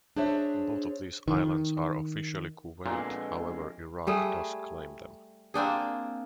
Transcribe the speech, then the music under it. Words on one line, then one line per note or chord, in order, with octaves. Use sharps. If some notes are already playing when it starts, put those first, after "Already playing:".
Both of these islands are officially Kuwait, however Iraq does claim them.
D4 G#4 C5 C#5 E5
D#3
F2 A#2 D3 G#3 B3
G3 A3 G#4
A#3 C4 D4 G#4